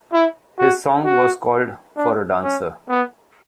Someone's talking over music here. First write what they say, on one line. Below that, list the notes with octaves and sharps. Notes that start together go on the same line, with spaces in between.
His song was called "For a Dancer".
E4
F#4
F#4
D4
C#4
B3